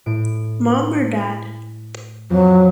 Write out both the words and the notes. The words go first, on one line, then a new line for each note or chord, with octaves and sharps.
Mom or Dad?
A2 D7
F2 F#3